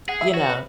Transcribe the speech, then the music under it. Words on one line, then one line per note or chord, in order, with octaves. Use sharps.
you know,
G#4 F#5
E5
F#4 C#5
B4